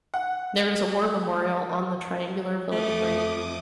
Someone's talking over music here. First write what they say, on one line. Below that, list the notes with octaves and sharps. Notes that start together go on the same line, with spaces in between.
There is a war memorial on the triangular village green.
F#5
F2 A3 D6 D#6